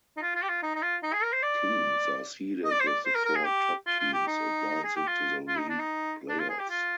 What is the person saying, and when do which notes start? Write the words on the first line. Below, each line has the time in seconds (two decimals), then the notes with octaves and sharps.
Teams are seeded with the four top teams advancing to the league playoffs.
0.17 D#4
0.22 F4
0.35 F4
0.43 G4
0.49 F4
0.62 D#4
0.75 D#4
0.82 F4
1.03 D#4
1.13 G#4
1.23 A#4
1.33 C5
1.42 D5
2.65 D#5
2.72 D5
2.80 C5
2.87 D5
3.05 C5
3.15 A#4
3.25 A#4
3.35 G#4
3.45 G4
3.86 F4
3.99 F4
4.13 G4
4.27 D#4
4.84 G#4
4.96 G4
5.07 F4
5.48 F4
5.58 D#4
5.69 D4
5.79 D#4
6.29 D4
6.39 F4
6.50 G#4
6.60 G4
6.70 F4